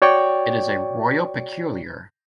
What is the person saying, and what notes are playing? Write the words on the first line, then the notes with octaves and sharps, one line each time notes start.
It is a Royal Peculiar.
F#4 C#5 D5 G5 C#6